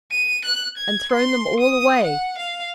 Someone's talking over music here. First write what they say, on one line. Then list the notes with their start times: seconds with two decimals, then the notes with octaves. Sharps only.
'And thrown them all away.
0.11 D#7
0.45 F#6
0.77 G#6
1.11 C6
1.60 D#6
2.03 F#5
2.37 F5